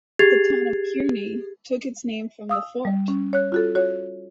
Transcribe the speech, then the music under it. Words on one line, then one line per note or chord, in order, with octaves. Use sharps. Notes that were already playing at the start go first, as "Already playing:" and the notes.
The town of Kearney took its name from the fort.
G4 G#4 G#6 A6 C7 F7
F5 D#6 E6
G3
C#4
C#5 F#6
F4 F#4 A4
F#4 C#5